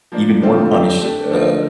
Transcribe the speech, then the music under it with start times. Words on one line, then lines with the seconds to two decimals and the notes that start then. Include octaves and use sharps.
even more punished, uh,
0.12 F3 A#3 D4
0.41 D3 F3 C4 F4 A4
0.71 F3 A3 C4 G4
1.01 A3 D4 G4
1.30 D3 F3 A3 D#4